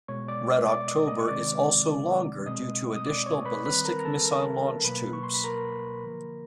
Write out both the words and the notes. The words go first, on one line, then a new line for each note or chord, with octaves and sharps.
"Red October" is also longer due to additional ballistic missile launch tubes.
B2 G#3 B3 C#5 C#6
D5 D6
D5 D6
D#5 D#6
D#5 D#6
C#6
C3 D#3 G#3 C4 D5 D6
B2 G#3 C4 D#5 D#6
D#6
D5 D6
C#5 C#6
B4 B5
D#3 G3 C4 B4 B5
A#4 A#5
A#5
A4 A5
A#4 A#5
B2 F#3 A#3 B4 B5
C#6
C6
B5
A#4 A#5
D3 F3 A#3